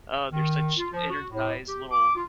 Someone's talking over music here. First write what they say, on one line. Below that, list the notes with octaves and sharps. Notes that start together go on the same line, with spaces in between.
Oh, they're such energized little
D#3
F4
F3
F#4
A2
G4
D6
F4